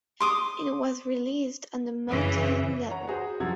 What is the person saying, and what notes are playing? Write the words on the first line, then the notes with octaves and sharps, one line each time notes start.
It was released on the Motown label.
C6 D6 D#6
F#2 C#3 E3
C#5 F#5 A#5
F#4 G#4 B4 C5
F#2 C3 F3 F#5 G#6